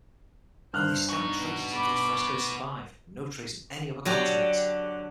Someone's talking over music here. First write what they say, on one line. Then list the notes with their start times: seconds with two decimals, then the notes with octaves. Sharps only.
Only scant traces of these frescoes survive, and no trace of any other contents.
0.73 G2 C5 F6 F#6
1.10 B3 D#4 F#4
1.73 B5 D6
4.05 D3 F#3 F#4 G4